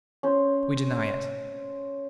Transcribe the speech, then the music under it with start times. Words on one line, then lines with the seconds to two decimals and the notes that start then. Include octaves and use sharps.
We deny it.
0.23 C#4 C5